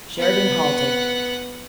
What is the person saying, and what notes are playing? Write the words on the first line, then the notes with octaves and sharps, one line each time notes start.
Sheridan halted.
B3 F#5